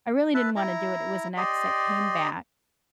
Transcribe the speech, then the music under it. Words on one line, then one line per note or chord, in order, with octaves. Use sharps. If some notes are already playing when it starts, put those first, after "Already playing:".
I really didn't wanna do it, it was an ex that came back
B4 E5 A5
E4 A#5
G4 D5 D#5 C6